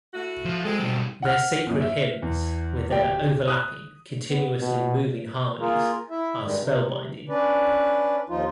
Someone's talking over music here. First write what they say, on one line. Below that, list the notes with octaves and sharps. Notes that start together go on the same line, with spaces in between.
Their sacred hymns with their overlapping, continuously moving harmonies are spellbinding.
A3 E4 F#4
F3
F#3 G#3 C4 A4
B2 G3
F#5 F6
F#2 A#2
E5
E2
D1 G4 G5
D#6 F#6
B3
B2
A#3 F4 G#4 A#4
E4 E5
G2 D#3 G3 G#3
C3
C#4 D4 B4 D5
D#2 F3 D#4 F4